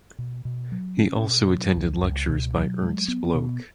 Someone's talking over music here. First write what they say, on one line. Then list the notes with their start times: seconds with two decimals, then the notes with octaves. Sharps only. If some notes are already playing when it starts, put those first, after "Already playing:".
He also attended lectures by Ernst Bloch.
0.19 B2
0.45 B2
0.72 F#3
0.97 C#4
1.24 B2
1.50 F#3
1.77 C#2
2.03 C#2
2.29 B2
2.56 F#3
2.83 G#3
3.08 B3
3.35 B2